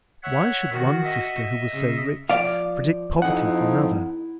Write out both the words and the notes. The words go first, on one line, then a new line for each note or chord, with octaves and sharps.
Why should one sister who was so rich predict poverty for another?
C#5 E5 F#5
D#3 F#4
D#5 E5
C#3
F3 D5 F5
F2 D#4 E4 F#5 G#5